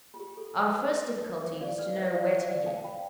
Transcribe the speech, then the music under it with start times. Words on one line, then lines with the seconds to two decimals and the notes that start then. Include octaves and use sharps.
Our first difficulty is to know where to begin.
0.14 F4
0.20 G4
0.37 A4
0.56 B4
0.72 C5
1.44 C5 E5
1.61 D5 F5
1.78 B4 D5
1.96 C5 E5
2.13 D5 F5
2.31 C5 E5
2.49 D5 F5
2.66 F5 A5
2.84 G5 B5